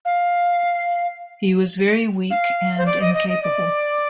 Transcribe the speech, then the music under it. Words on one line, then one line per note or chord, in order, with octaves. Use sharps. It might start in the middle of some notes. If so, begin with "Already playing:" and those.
He was very weak and incapable.
F5
F5
C5
D5
D#5
D#5
D#5
D5